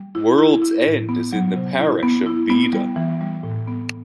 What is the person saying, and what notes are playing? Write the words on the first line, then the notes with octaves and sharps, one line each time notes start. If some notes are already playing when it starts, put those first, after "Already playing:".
World's End is in the parish of Beedon.
Already playing: G3
E4
E4
E4
A2
B3
F#3
C3
E4
B3
E4
B3
G3
E3
G3
A2
B3